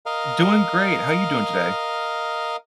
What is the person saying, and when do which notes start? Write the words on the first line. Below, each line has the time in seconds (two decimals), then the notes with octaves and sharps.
Doing great. How you doing today?
0.06 A#4 D#5 F5